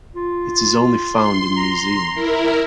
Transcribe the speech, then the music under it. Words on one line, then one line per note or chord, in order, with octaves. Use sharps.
It is only found in New Zealand.
F4
C6
A#5
E4 A#4